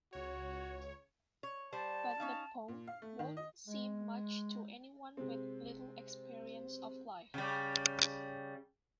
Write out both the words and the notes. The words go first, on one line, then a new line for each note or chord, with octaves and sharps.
But the poem won't seem much to anyone with little experience of life.
C#2 F#4 C#5
C#5
G3 C5 A5
C#4 D#4 F5
A#2
F5
A3
D#3
D#5
G#3
C3 G#3 C4
C#3 G3